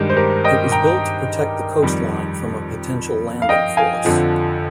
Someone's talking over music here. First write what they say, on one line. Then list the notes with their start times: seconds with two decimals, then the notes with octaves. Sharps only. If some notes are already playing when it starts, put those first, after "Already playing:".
It was built to protect the coastline from a potential landing force.
Already playing: G2 D#3 G#3 D#4 G4
0.10 C5
0.17 G4 A#4
0.44 D#5 G5
0.72 G5 A#5
1.83 F2 D#3 G3
3.42 F5
3.49 D#5 G5
3.77 F5 G#5
4.05 F2 D3 F3